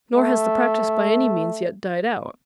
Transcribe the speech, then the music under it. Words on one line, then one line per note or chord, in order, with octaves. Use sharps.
Nor has the practice by any means yet died out.
A3